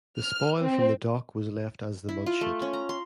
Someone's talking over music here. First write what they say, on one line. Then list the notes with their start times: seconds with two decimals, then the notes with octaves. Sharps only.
The spoil from the dock was left as the Mudchute.
0.19 F6
0.60 C4
2.09 E4
2.26 F4
2.41 A3
2.62 C#4
2.73 A#5
2.89 C6